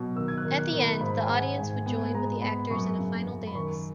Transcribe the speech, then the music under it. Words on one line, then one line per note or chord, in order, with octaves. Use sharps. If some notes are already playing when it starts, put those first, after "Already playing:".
At the end, the audience would join with the actors in a final dance.
Already playing: B2 F#3
D#3 E6
G#6
F#6
D#3
F#6
D#3
B5
G#2 B5
G#5
G#3 F#5
G#2 G#5
B3 G#5
G#3 A#5
B3 B5
F#2 C#6
C#3
F#2
B5
D#3 C#6